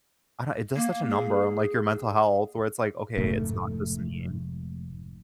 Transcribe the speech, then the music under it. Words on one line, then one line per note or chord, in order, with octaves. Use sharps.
I don't it does such a number on, like, your mental health where it's like, "Okay, it's not just me. It's
A#3
G#4
F1 G#2 A3